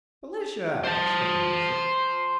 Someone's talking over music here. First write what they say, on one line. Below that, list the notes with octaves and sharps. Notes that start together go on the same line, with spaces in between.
"Felicia!" exclaimed the Bishop.
C5 A5